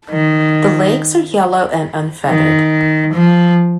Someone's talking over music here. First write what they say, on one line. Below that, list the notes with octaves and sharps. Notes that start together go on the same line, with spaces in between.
The legs are yellow and unfeathered.
D#3
D#3
F3